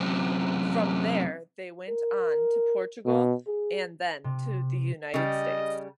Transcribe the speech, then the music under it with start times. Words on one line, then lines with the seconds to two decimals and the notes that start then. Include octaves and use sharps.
From there they went on to Portugal and then to the United States.
0.01 F#2 C3
1.89 A#4
3.06 B2
3.47 G#4
4.24 C3
5.14 C#3 G3 D#5